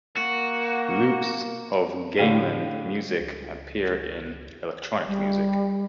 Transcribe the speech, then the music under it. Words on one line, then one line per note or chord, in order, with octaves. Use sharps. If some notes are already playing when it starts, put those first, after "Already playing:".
Loops of gamelan music appear in electronic music.
A#3 F#4
A2 D3 G4 F5 D#7
C#2
D1 G3